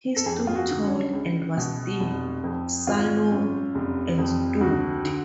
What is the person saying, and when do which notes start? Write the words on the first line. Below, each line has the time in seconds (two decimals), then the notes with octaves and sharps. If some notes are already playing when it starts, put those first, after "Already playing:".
He stood tall, and was thin, sallow, and stooped.
0.16 A4
0.26 F2 G#4
0.47 F4
0.55 F#4
0.70 D3
0.84 C#4
1.13 C#2
1.57 B2
2.00 F1
2.44 F2
2.87 G#1 F4
3.31 F#2
3.75 F1
4.18 F2
4.61 D2 F#4
5.04 D3